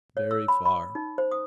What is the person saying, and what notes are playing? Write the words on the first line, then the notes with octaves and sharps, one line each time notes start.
"Very far."
C#5
E6
B5
B5
D#4
C5
D#6